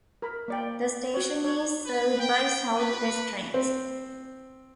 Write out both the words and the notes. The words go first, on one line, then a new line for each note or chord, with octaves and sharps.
The station is served by South West Trains.
A#4 B5
A#3 D5 G5
F#4 C#5
C#5
B4
G5
B4
C4